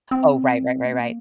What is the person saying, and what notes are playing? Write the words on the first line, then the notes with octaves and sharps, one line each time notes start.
Oh, right, right, right, right.
C4
A#3
C4
A#3